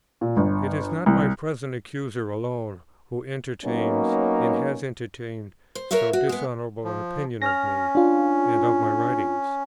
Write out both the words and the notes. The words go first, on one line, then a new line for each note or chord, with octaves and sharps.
It is not my present accuser alone who entertains, and has entertained, so dishonourable an opinion of me and of my writings.
A#2
G1
C2
F#3 A#3 B3 C#4 D#4
C5
A#4 B4 C#5 E5 F5
F#4
G#3 B3
F3
C#4 F6 A#6
D4 F4